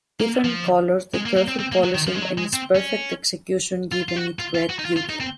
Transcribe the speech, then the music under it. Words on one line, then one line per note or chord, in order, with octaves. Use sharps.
Different colors, the careful polishing and its perfect execution give it great beauty.
A#3
F3
G#3
A#3
A#3
C4
C4
A#3
F#3
D#3
F3
G#3
F#3
G#3
C4
C#4
F4
F4
F#4
F4
F4
F#4
D#4
F4
F4
D#4
C4